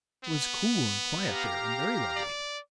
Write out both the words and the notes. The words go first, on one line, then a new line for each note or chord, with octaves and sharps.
It was cool and quiet there, and very lovely.
B3
G4 F5 A#5
D5